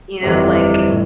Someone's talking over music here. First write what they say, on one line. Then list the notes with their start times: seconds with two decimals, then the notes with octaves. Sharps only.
you know, like
0.22 G1 F2 C3 E3
0.89 A2 E3